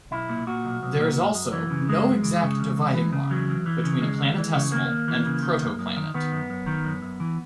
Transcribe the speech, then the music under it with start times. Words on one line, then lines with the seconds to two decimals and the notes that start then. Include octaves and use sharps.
There is also no exact dividing line between a planetesimal and protoplanet.
0.11 B1 E4
0.29 A#2
0.47 A#2 F#4
0.65 B1
0.83 B1
0.99 A#2
1.18 F#2
1.35 F#2
1.53 E3
1.70 C#3
1.89 F#2 G#3
2.06 F#2
2.23 E3
2.42 C#3
2.60 E2
2.77 E2
2.95 E3
3.12 C#3
3.31 E2 F#3
3.48 E2
3.66 E3
3.84 C#3
4.01 D#2 G#3
4.18 D#2
4.37 E3
4.54 C#3
4.72 D#2 A#3
4.90 D#2
5.08 E3
5.26 C#3
5.42 D#3
5.61 F#2
5.79 F#2
5.96 D#3
6.14 D#3 B3
6.32 F#2
6.50 F#2
6.66 D#3
6.85 F#2
7.02 F#2
7.20 E3